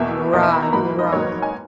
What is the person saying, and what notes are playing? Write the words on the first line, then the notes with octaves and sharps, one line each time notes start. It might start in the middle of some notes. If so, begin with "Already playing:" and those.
"Nor I,--nor I."
Already playing: E2 B2 A#3 E5
E2 B2 A#3 D#5
E5
B5
A#5
G#2 F#3 A#3 B5
D#5
D#5
G#2 F#3 A#3 C#5
B4
G#5